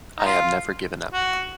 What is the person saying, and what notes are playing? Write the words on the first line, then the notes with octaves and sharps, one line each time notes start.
I have never given up.
D#4
F4
F#4